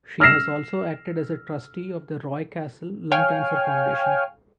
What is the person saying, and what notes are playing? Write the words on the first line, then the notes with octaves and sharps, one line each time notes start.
She has also acted as a trustee of the Roy Castle Lung Cancer Foundation.
E6 F6 A#6 C7 E7
C#5 F5 G5 G#5 F6